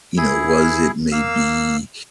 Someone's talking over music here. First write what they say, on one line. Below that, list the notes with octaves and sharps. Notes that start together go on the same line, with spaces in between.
You know, was it maybe,
E4 G#4
A#3 F5 E6